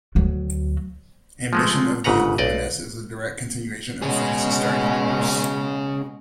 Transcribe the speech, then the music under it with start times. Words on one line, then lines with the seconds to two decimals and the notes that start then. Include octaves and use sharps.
"Ambition of the Illuminus" is a direct continuation of "Phantasy Star Universe".
0.15 D2 F#3
1.53 F3 G#3 A3
2.04 G1 G#2 C#3 B4 F#5 A#5
2.38 B1 D5 D#5
4.02 B2 G#3 C#4 G#4